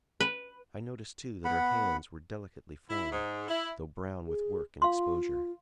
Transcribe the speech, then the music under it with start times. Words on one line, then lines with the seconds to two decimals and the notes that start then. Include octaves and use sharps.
I noticed too that her hands were delicately formed, though brown with work and exposure.
0.20 B4
1.45 B3 F#5 B5
2.89 E4
3.11 G#2
3.47 E4
4.27 G#4
4.82 F4 F5 C6